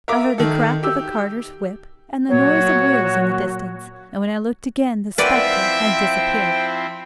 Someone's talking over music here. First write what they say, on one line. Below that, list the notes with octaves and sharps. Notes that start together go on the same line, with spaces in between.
I heard the crack of a carter's whip and the noise of wheels in the distance, and when I looked again the spectre had disappeared.'
A#4 E5 F5 D6
D#3 A4
G4 E6
A#2 F#3 F#4 C#5
F3 C4 E4 B4 D5 E5 F#5 G5